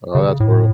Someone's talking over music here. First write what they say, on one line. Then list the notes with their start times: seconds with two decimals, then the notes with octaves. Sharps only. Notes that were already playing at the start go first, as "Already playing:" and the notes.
Oh, that's brutal.
0.15 C#3
0.40 A2